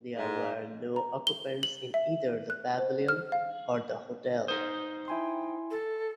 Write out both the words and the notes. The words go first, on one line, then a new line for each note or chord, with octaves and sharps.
There were no occupants in either the Pavilion or the hotel.
G#2
A#5
G7
F#7
E5
F#6
C5
F6
F5
D#4 C5 D#6
E4 G5 G#5 C6
A4